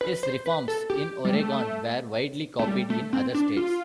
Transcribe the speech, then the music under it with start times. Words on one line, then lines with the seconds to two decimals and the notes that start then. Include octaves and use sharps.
His reforms in Oregon were widely copied in other states.
0.01 B4
0.23 C5
0.46 B4
0.68 A4
0.90 G4
1.25 G3
1.35 A3
2.59 A3
2.68 G3
2.90 A3
3.13 C4
3.35 D4
3.57 F4